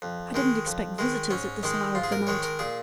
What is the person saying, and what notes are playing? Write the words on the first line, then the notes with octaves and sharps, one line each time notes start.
"I didn't expect visitors at this hour of the night."
F2
D#3 G#3
F2
D#3 G#3
G#2 C#4
D#3 G#3 D#4
G#2 F4
G#4
A#4
D#3 G#3 C#5
A#4
A#2 G#4